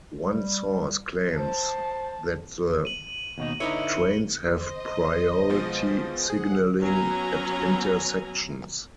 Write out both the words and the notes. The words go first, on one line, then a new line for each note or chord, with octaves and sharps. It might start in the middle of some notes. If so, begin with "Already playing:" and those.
One source claims that the trains have priority signalling at intersections.
G3
C5 A5
D#7 F#7
D#2 B2 D#4
D3 D#4 E4 B4 C#5 C#7 G7
C5 D#5
B2 F3 G#3
G#4 F#5
F#3 B3 C#4 G#5 A#5